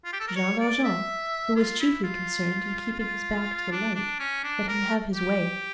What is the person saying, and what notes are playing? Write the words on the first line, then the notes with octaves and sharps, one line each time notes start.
Jean Valjean, who was chiefly concerned in keeping his back to the light, let him have his way.
F4
G4
A4
A#4
C#5
D5
E5
F4
E4
F4
F4
D4
D4
C#4
D4
A#4
G4